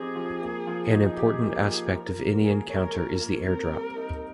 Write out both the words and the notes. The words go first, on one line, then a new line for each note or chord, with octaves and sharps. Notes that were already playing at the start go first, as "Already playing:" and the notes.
An important aspect of any Encounter is the airdrop.
Already playing: F3 C4 D#4 G4 G#4
F3
A#3
F3
D#4
G4 G#4
A#3
F3
F4 A#4
A#3
G#4
A#4 C#5
F4
A#3
C4 A#4
G3
D#4